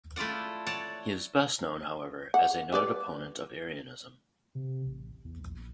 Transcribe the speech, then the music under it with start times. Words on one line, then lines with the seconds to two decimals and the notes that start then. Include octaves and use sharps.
He is best known, however, as a noted opponent of Arianism.
0.16 A3 E4 F4 D5 F#5
0.66 C#5 D5 F#5 A5
2.34 F#5
2.72 G3 B4 D5
4.55 C3
4.86 A1
5.25 E2
5.40 A#1